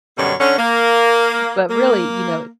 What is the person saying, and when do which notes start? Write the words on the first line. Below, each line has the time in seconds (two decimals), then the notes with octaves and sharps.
But really, you know,
0.18 F#2 B2 D3 G3 C#4
0.40 D3 C#4
0.59 A#3
1.70 A#3